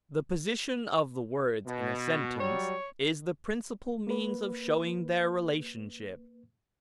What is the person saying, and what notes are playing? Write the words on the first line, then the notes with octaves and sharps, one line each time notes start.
The position of the words in a sentence is the principal means of showing their relationship.
B2
F#3 G3 C#5
A#3 B4